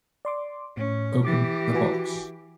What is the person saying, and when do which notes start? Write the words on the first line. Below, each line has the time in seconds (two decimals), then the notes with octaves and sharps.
Open the box.
0.25 D5 C6 D6
0.77 A2 C#4
1.25 E3 G4 D6 A6
1.74 F#4 B4 G#5